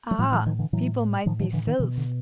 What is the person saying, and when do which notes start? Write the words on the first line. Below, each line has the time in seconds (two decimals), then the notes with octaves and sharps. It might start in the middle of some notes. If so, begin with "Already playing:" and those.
Ah! people might be sylphs.
0.11 F#3
0.18 A2 F3 G3
0.32 E3 F#3
0.46 D#3 F3
0.59 D3 E3
0.73 A2 E3 F#3
1.26 A2 D#3 F3
1.40 D#3 F3
1.53 D3 E3
1.67 D#3
1.79 B2 D3 E3
1.97 D3